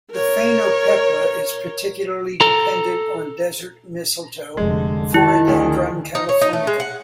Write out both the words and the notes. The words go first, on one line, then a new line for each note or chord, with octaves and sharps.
The phainopepla is particularly dependent on desert mistletoe, "Phoradendron californicum".
A#4 C#5
A4 A#5
F1 D3 G#3
D#3 E4 A5
D2 D3 G#4
D#4
C#5
D#4
A3
G#3
F#5